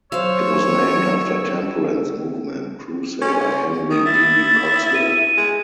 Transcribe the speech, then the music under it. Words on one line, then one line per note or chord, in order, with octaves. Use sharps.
It was named after temperance movement crusader Henry D. Cogswell.
F#3 C5 C#5 F5 E6
C#4
D#3 D#6
E4 A6
D#7
G#3